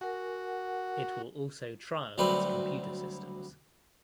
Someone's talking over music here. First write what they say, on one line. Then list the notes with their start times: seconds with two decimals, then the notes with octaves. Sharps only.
It will also trial its computer systems.
0.01 F#4 A#4 F#5 G#5
2.18 D2 F#3 G3 C4 B4 B5